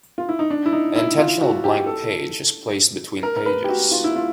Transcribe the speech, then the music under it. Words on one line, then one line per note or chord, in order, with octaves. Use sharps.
An intentional blank page is placed between pages.
F4
E4
D#4
D4
E4
D#4
E4
F4
F#4
G4
A4
A#4
A#4
B4
G4
F#4
F4
E4
F4